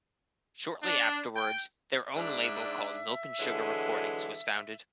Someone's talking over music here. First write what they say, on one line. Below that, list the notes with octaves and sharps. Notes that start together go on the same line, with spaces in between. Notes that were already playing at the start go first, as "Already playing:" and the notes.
Shortly afterwards, their own label called Milk and Sugar Recordings was founded.
D4
G5
G#2 D4 E5
D3 E3 F#3 G#3